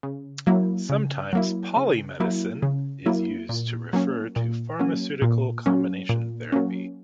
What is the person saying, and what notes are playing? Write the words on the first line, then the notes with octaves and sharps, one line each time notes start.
Sometimes "polymedicine" is used to refer to pharmaceutical combination therapy.
C#3
F#3 A#3 E4
C#3
F#3 A#3 E4
C#3
F#3 A#3 E4
C#3
F#3 A#3 E4
A#2
F#3 A#3 C#4
A#2
F#3 A#3 C#4
A#2
F#3 A#3 C#4
A#2
F#3 A#3 C#4